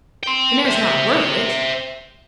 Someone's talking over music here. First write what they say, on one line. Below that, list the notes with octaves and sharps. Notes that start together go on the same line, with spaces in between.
The mare's not worth it.
G5 C6
C5 E5